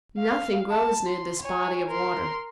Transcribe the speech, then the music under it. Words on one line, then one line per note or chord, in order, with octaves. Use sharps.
Nothing grows near this body of water.
F5
A5
C6
C#5 G#5
A#4 C6